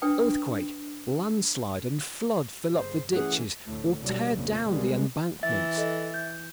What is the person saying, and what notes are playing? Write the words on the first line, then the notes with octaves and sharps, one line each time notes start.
Earthquake, landslide, and flood fill up the ditches, or tear down the embankments.
D4 B4 G5 D#6
G1 G#4 C5
E3 A3 C#4 G#4 F#5
D2 A2
B2 D3 F#3 G3
A#1 F2 A#2 C#3
C#2 B2 G3 G#3 A#3
E3 E5 A6
A4 D#5
G6